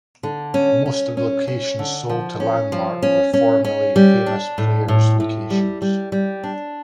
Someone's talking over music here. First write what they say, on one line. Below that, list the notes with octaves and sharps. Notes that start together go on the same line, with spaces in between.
Most of the locations sold to Landmark were formerly Famous Players locations.
D3
C#4
C#4
C#4
C#4
D3
F3
C#4
F3
C#4
C#4
C#4
G3
D4
A2
A2
A2
G3
G3
G3
D4